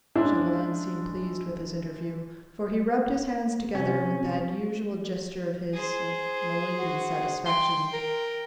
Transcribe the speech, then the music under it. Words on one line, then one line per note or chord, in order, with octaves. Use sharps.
Chauvelin seemed pleased with his interview, for he rubbed his hands together, with that usual gesture of his, of malignant satisfaction.
G#3 C#4 D4 E4
C3 C#4
C4
G#4 C5
F#4
G5 C6
A#4